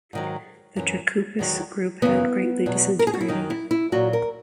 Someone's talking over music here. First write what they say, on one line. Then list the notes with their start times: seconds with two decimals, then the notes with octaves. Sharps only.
The Trikoupis Group had greatly disintegrated.
0.13 G#2 D#3 F#3
0.76 F#2 E3
1.39 E2 D#3 F#3
2.02 F#2 C#3 E3 B3
2.66 E2 B2 F#3
2.99 A#4
3.07 G#4
3.14 F#4
3.21 E4
3.28 F#2 D#3 F#3 D#4
3.50 E4
3.71 E4
3.92 A#2 F#3 F#4
4.13 A#4